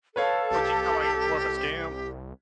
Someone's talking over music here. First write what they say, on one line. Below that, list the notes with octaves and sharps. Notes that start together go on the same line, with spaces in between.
But you felt like it was more of a scam?
A4 B4 C#5 F5
C2 G4